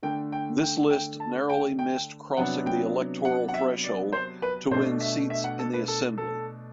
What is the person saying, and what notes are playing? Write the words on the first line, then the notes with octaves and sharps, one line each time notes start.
This list narrowly missed crossing the electoral threshold to win seats in the assembly.
D3 A3 D4 G5
G5
G5
G5
A5
G5
G5
C3 F#3 B3 D4 F#5
G5
F#5
F#5
E5
D5
C5
B4
B2 A3 D4 C5
E5
E5
F#5
A4
B4
A4
A4